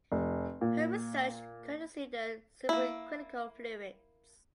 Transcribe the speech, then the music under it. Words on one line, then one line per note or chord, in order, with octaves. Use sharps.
Her research considered supercritical fluids.
F1
A#2
A#3 E4